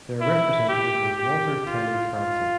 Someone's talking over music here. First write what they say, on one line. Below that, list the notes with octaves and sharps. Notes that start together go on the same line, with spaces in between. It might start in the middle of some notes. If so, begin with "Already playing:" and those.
Their representative was Walter Tenney Carleton.
E4
G4
G4
F4
F4